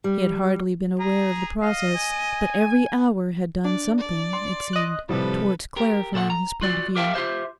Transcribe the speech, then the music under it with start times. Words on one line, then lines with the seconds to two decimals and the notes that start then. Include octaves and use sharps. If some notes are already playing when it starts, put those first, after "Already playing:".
He had hardly been aware of the process, but every hour had done something, it seemed, towards clarifying his point of view.
0.04 G3
1.00 G#4 A#5
1.61 D#5 F5
1.95 G#5
3.65 D4 D5
3.98 D5
4.33 C6
4.73 D#5 F#6
5.09 A2 C3 F3 G3 A4 B4
5.76 G4 A#4
6.14 A#2 A4 C5 F#5
6.30 A#5
6.61 F4 F#4 D5
6.96 G4 A#4 E5 F5 G5 A5
7.14 F4 G4 C5 E5